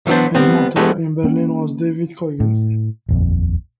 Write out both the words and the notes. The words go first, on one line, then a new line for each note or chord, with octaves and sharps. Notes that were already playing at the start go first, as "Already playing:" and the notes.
His mentor in Berlin was David Koigen.
E3 F#3 B3 D4 C5
G3 B3 C4
G#3 A3 B3 D4 G4 B4
A#3 C#4
A2
D#1 A#1 F2